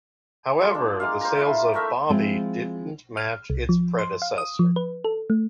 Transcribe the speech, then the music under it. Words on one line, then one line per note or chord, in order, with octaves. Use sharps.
However, the sales of "Bobby" didn't match its predecessor.
G#3 F4 A4
D4
G#3 A#3 F5
C5 A#5
E4 F4 E5
A3 A4 A#4 E5
F3 G#3 C4 E4 F4
F6
C2
F3
C6
F5
D#6
F3
B4
A4
A3